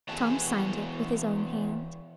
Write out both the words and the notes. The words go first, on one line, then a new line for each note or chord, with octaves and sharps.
Tom signed it with his own hand.
E3 B3 F#4 G#4 F#5 A5